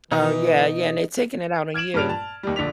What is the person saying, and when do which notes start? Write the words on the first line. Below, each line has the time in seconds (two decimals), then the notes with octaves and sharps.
Oh yeah, yeah, and they taking it out on you.
0.11 B2 E3 D#4 B4
1.74 F6 G#6 D7 E7 F#7
1.94 G2 A#2 G3 F6 D7 F7
2.09 A5
2.43 D#2 G3
2.56 A#1 D3 D5 B6 F7